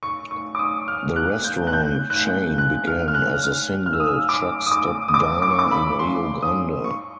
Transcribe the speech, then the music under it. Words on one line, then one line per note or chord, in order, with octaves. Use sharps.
The restaurant chain began as a single truck stop diner in Rio Grande.
C#6
C#6
D6
D#6
F6
F#6
G6
F#6
G6
F#6
G6
F#6
F6
F6
F#6
F6
F6
E6
D#6
E6
D6
D#6
D6
D#6
D6
D6
C#6
D6
B5
C6
D#6
C#6